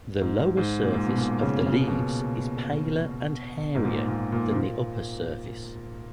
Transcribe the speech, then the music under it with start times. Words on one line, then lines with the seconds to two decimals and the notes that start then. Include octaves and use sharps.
The lower surface of the leaves is paler and hairier than the upper surface.
0.21 G#2
0.57 G#2
0.83 A#2
0.93 G#2
1.06 B2
1.18 A#2
1.42 C#3
1.66 C#3
1.73 B2
1.80 A#2
1.87 B2
3.75 G#2
3.84 A#2
4.08 A#2
4.32 A#2
4.51 G#2
4.57 A#2